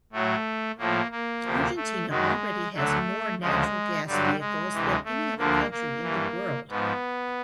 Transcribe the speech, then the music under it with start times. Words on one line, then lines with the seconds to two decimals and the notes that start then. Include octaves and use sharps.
Argentina already has more natural gas vehicles than any other country in the world.
0.12 A2 F#3 A3
0.78 A2 F3 A#3
1.11 A#3
1.43 D2 C3 F3
1.76 A3
2.09 F#2 D#3 F#3 G#3
2.75 D2 D3 F#3 A3
3.41 D2 C#3 F3 G#3
4.06 G2 D3 F#3 G3
4.39 G#3
4.72 D2 C3 E3
5.05 A3
5.38 D2 D3 F3 A#3
5.71 A#3
6.03 G2 E3
6.69 G#2 F3 B3